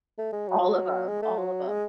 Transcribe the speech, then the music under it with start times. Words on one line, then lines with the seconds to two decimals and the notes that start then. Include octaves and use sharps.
All of 'em, all of 'em.
0.18 A3
0.32 G#3
0.48 F#3
1.08 G#3
1.22 A3
1.38 F#3
1.68 G#3